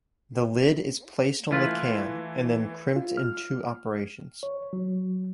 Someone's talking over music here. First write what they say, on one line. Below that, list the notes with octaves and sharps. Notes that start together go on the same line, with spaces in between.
The lid is placed on the can, and then crimped in two operations.
E3 A3 E4 F4 B4
F4
F6
C#5
F#3